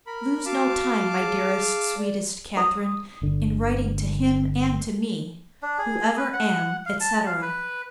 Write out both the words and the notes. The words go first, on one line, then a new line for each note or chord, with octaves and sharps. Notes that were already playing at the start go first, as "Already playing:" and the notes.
Lose no time, my dearest, sweetest Catherine, in writing to him and to me, Who ever am, etc.
A#4 B5
F#4 F5 A5 D6
G#4
D5
D#6
G1 D3
D4
G#4
B4
F#5
F5
A5
F5
B4